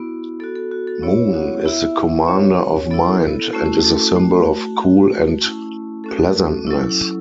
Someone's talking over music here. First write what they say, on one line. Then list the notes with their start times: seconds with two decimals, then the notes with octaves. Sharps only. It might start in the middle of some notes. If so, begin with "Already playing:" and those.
Moon is the commander of mind and is a symbol of cool and pleasantness.
Already playing: B3 E4 F#4
0.40 B3 F#4 A4
0.56 A4
0.72 F#4
0.87 A4
1.02 B3 C#4 E4 C#5
1.34 F#4 F#5
1.65 B3 E4 E5
2.28 B3 C#4 F#4 C#5
2.90 B3 E4 A4
3.42 A4
3.53 A3 C#4 E4 F#4
3.84 A4
4.16 A3 F#4
4.78 A3 F#4
5.41 A3 C#4 E4
6.04 A3 C#4 F#4 A4
6.67 F#3 C#4 E4